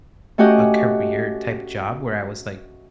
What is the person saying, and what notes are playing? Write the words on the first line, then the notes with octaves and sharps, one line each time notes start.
a career-type job where I was like,
A3 C#4 F#4 G4 D#5